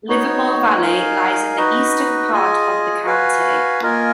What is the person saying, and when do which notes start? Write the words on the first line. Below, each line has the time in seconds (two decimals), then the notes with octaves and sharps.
Livermore Valley lies in the eastern part of the county.
0.08 B3 D#4 F#4 C#5
0.83 D#4 A#4 F5 G#5
1.57 D#4 F#4 B4 D#5
2.32 F4 G#4 D#5 G#5
3.06 F#4 B4 F5 G#5
3.81 A#3 F4 A#4 D#5 G#5